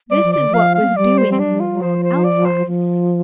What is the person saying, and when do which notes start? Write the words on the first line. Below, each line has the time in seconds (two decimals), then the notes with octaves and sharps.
This is what was doing in the world outside.
0.10 G3 D5
0.24 F3
0.32 D3 D5
0.50 F3 F5
0.75 F5
0.82 C4
0.89 A#3
0.96 G3 D5
1.18 C5
1.31 C4
1.39 D4
1.60 F4
1.81 F3 C5
2.03 C5
2.24 D5
2.45 C5
2.67 F3